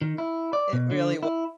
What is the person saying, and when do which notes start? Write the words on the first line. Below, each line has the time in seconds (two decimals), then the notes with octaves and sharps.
It really was.
0.01 D#3
0.18 E4
0.53 D5
0.73 B2
0.91 D3
1.23 E4